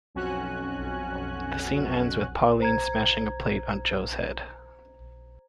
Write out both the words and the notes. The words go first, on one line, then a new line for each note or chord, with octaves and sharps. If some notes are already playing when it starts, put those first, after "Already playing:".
The scene ends with Pauline smashing a plate on Joe's head.
B1 F2 C#4 F#4 G#5 F#6
C5 A#5 G#6